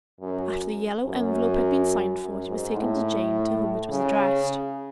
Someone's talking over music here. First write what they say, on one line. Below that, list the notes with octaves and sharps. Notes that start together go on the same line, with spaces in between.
After the yellow envelope had been signed for, it was taken to Jane, to whom it was addressed.
F#2
F#2
F#2
G#2
A2
C#3